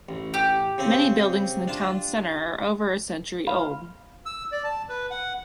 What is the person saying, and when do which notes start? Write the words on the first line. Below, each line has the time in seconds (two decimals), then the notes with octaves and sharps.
Many buildings in the town centre are over a century old.
0.09 A1
0.34 G4
0.78 C#3 C4 C5
1.68 D4 F4 A5
3.47 F5 B5
4.26 E6
4.52 D5
4.64 A5
4.89 B4
5.11 F#5